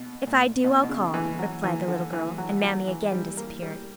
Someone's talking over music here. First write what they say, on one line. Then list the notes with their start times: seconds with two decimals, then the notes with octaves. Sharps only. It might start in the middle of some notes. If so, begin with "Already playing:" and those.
"If I do I'll call," replied the little girl, and Mammy again disappeared.
Already playing: B2
0.27 A#2
0.64 B2
0.83 B2
0.89 C#3
1.14 E3
1.39 F#3
1.64 E3
1.88 D3
2.13 E3
2.38 F#3
2.63 F#3
2.88 E3
3.12 G3
3.37 A#3
3.62 G3